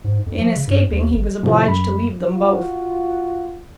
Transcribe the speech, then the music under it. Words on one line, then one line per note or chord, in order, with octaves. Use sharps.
In escaping, he was obliged to leave them both.
G#2
F2
F3
C#3
G2
D#2
G#1
A2 C3 D#3 F3
F#2 B5
F4 F#4